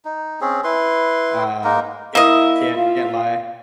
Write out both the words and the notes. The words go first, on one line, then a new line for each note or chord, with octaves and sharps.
Uh, can't can't can't lie.
D#4
C4 C#4 G#4
E4 B4 C6
G#3 A#3 D#4 A#4
A#3 E4 D#5 E5
F4 F5